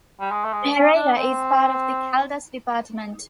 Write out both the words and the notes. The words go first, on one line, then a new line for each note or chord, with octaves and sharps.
Pereira is part of the Caldas department.
G3
G#3
A3
G#3
C#4
D4
C4